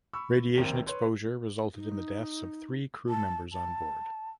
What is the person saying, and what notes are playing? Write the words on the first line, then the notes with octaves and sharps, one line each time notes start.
Radiation exposure resulted in the deaths of three crew members on board.
B5 C#6 E6
A#1 D#2 C4 A#4 F7
B4 C#5 C6
D#4
A5
A5